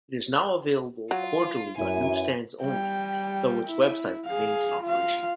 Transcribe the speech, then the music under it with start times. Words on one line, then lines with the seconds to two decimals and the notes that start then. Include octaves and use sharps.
It is now available quarterly on newsstands only, though its website remains in operation.
1.11 F#3 F4
1.78 F#2 E4 B4 G#5
2.62 G3 G5
3.67 E4
4.25 G#4 F5
4.83 F4 F5